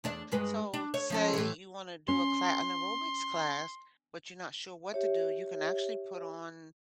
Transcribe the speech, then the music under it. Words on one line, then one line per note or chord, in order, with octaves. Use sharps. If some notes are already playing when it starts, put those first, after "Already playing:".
So, say you wanna do a cla an aerobics class, but you're not sure what to do, you can actually put on
E2 D4 D5
G2 G#3 B4
D4
C#5
F3 C#4 A4
A2 E3
C#4 C6
G4 C#5 E5